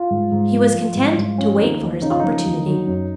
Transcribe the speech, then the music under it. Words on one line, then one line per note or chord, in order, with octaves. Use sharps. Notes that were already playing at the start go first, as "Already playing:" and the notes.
He was content to wait for his opportunity.
Already playing: F4
G#2
G#2
F3
F3
G#2
G#2
F3 C#4
C#4
D#2 D#4
D#2
C#3 D#4
F4
F3 D#4
D#2
F#3
F#2